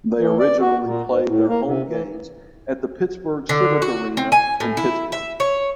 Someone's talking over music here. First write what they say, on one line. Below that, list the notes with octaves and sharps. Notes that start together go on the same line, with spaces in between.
They originally played their home games at the Pittsburgh Civic Arena in Pittsburgh.
E3
D5
F#4
A#2
G#2
A2
A#3
C3
E3
D3
F#4
C4
G#5
A2
E4
E5
C#5